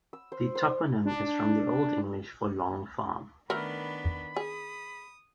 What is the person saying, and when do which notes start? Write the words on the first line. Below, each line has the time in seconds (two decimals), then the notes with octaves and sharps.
The toponym is from the Old English for "long farm".
0.13 E6
0.32 C5
0.55 C5
1.05 D4
3.50 D#3 A3 B3 D4 A#4 B5
4.36 G#4 D#6